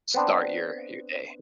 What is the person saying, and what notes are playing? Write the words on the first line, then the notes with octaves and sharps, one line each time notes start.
start your your day.
B3 C4 D4